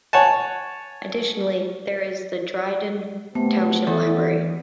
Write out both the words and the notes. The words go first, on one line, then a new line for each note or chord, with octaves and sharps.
Additionally there is the Dryden Township Library.
C#5 F#5 G#5 A5
C3 A3 B3
E2 E4 A4